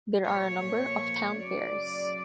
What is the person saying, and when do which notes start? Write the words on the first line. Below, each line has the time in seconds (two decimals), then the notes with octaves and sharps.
There are a number of townfaires.
0.24 A#2 F3 A3 C#5
1.35 F#2 C#3 F#3 D5